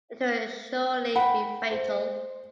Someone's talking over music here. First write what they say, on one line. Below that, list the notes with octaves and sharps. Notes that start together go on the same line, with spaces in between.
It will surely be fatal.
F#5 G5 B5
C5